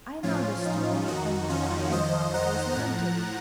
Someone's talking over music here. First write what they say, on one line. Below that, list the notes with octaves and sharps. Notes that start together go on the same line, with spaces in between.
I know the story and why and how it was invented.
A2 F3 C#4 F4
D#4
F2 D#3 D#4 F#4
C#4 F4
F2 D#3 C5 D#5
F#5 A#5
A2 F3 F#5 A#5